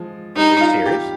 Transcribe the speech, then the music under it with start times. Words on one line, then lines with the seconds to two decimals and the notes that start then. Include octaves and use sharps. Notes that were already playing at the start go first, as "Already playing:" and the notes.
Are you serious?
Already playing: F3 G#3
0.37 G3 D#4
0.61 F4
0.85 G4